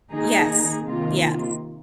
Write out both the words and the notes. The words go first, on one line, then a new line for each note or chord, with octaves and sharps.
Yes. Yes.
D#3 A#3 D#4 G#4
C3 D#3 A#3 F4